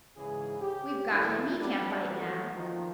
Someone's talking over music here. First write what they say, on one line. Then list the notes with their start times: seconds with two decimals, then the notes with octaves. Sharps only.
"We've got him; he can't bite now."
0.17 G#2 C#3 E3 G#4
0.61 G4
1.10 B1 E2 A#3 E4 A4 A#4
1.61 F#3 G3 B3 C4 D4
2.06 E3 F#3 G3 A3 F#4
2.55 D#3 F3